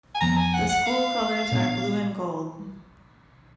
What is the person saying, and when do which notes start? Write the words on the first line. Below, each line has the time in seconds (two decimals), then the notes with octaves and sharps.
The school colors are blue and gold.
0.15 G#5
0.21 F2 F3 B3 A#5
0.37 G#5
0.54 F#5
0.69 F#5
0.86 F5
1.52 A#2 G#3 B3 D4